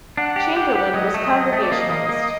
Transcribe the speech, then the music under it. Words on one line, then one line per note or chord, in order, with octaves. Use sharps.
Chamberlain was Congregationalist.
D4 F#5
G4
G4
G4
F#3 D#5
A3
F#3
A3
D5
A#3 D#5
A#3
A#3